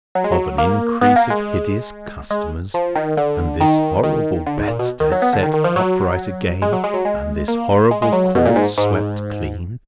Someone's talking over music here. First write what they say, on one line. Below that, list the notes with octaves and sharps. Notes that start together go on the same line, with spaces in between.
Of an increase of hideous customers, and this horrible bedstead set upright again, and this horrible court swept clean?
F#3
G#3
F#3
A#3
B3
A#3
G#3
G#3
F3
D#3
D3
D#3
D#3
D3
G#2
A#2
B2
D#3
F#3
B3
D3
D#3
D#3
F3
F#3
G#3
F#3
G#3
F#3
G#3
A#3
G#3
G#3
F#3
B2
A#2
G#2
G#2